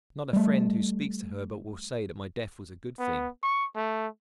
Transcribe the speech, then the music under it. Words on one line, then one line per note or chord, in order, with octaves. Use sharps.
Not a friend who speaks to her but will say that my death was a good thing.
G3 A3
B3
C#6
A3